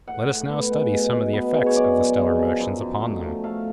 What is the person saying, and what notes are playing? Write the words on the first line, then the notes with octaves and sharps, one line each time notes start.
Let us now study some of the effects of the stellar motions upon them.
A2 F#5
A2
B3
G#3
B2
B2
B3
G#3
C#5
F#2 D5
F#2
G#3
F3
F#2
F#2
A3
F3
A3 F5